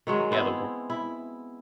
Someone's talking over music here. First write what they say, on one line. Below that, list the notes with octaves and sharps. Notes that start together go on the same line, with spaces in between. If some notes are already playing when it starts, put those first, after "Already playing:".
Yeah, the worl
D#3 F#3 G#3
B3 C4 E4 G#4
E4